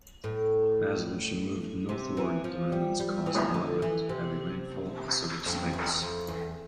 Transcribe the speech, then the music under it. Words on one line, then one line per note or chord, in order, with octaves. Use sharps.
As Alicia moved northward, the remnants caused moderate to heavy rainfall in several states.
A2
C3
E3
F3
G3
G3
E3
D3
E3
C3
F2
E2
F2
E2